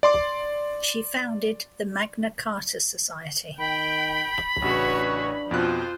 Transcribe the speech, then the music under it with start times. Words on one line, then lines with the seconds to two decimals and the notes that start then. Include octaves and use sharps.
She founded the Magna Carta Society.
0.03 D5 C6 D6
3.59 D#3 G5 B5
4.62 A1 C#3 D4 F#4 B4 C#5
5.51 F2 B2 F3 F4 C5 F#6